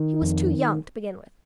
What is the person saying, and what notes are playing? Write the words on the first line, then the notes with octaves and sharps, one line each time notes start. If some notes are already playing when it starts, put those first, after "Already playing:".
He was too young, to begin with.
Already playing: D#3
F2